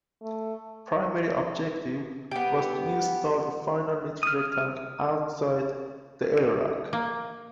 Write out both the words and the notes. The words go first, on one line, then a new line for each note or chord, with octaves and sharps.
Primary objective was to install the final nitrogen tank outside the airlock.
A3
B3 G4
D#6 F6
A#3